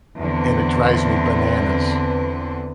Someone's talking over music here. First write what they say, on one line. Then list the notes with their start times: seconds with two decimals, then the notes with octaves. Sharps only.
and it drives me bananas.
0.18 E2 D3 C4 B4